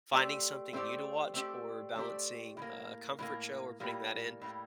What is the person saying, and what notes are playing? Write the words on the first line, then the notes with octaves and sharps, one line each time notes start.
finding something new to watch, or balancing a comfort show, or putting that in,
A3 C4 G4 D5
A3 C4 G4 D5
A3 C4 G4 D5
A3 C4 G4 D5
A2 G3 A#3
A2 G3 A#3
A2 G3 A#3
A2 G3 A#3